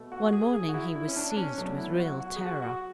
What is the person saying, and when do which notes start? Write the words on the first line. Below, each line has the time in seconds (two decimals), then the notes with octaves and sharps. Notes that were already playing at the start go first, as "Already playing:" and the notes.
One morning, he was seized with real terror.
Already playing: B2 A3
0.12 F#4
0.33 G#4
0.54 G#4
0.69 F#4
0.74 E4
0.95 E4
1.08 C#4
1.16 D4
1.32 D4
1.37 C#4
1.57 B2 F#3 A3 D4
1.78 E4
1.99 F#4
2.20 F#4
2.36 G#4
2.41 F#4
2.62 F#4